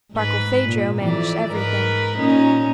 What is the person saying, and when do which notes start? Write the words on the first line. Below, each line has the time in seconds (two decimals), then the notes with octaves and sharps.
Barkilphedro managed everything.
0.12 G#2 B4
0.65 A#2
0.98 F2 E3 D5
1.51 G#2 A#4 B4
2.18 A#2 C#4 D#4